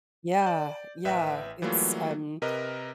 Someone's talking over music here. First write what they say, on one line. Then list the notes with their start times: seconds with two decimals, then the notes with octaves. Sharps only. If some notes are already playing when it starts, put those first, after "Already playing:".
Yeah, yeah, it's um,
0.42 D5 G6
1.05 A1 B4 E5 G5
1.62 E3 F#3 G3 A3 A#3 F4
2.42 C3 A#4 B4 D#5